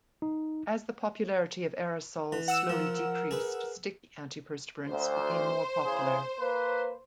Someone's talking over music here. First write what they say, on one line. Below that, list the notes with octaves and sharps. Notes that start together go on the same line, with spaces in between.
As the popularity of aerosols slowly decreased, stick antiperspirants became more popular.
D#4
E3
F#5 E6 E7
F3 A#4
G#4 B4
D2 C5
C#3 E3 G#4
A#3 B4